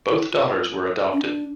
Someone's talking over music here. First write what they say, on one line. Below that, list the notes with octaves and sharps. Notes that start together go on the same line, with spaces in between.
Both daughters were adopted.
E4
F4
C#4
D4